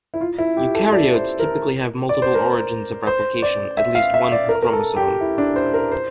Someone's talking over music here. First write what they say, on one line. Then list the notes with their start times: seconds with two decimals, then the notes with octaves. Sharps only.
Eukaryotes typically have multiple origins of replication; at least one per chromosome.
0.14 E4
0.21 F4
0.38 E4
0.57 G4
0.75 A4
0.92 D5
1.16 C5
1.40 A#4
2.09 D5
2.22 C5
2.34 A#4
3.07 C5
3.42 D5
3.77 E5
3.95 F5
4.14 E5
4.32 D5
4.49 A#4
4.62 A#4
4.73 A4
4.96 G4
5.21 E4
5.38 D4
5.56 C5
5.74 A#4
5.91 C5